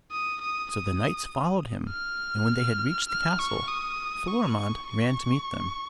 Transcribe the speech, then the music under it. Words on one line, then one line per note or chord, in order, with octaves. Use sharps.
So the knights followed him; and when they had reached the castle, Florimond ran to meet them.
D#6
D#6
D#6
F6
F6
C#6
D#6
C#6
C#6